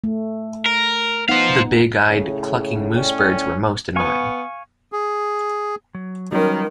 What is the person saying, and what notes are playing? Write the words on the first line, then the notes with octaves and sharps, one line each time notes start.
The big-eyed, clucking moose-birds were most annoying.
A3
A#4
B3 D#4 C5 F5 F#5
A2 C#3
A2 C#4 C#5 D5 G5
B3 F5 G#5 C#6
G#4
F#3
D#3 F#3 G3 C#4 F4 A#4 B4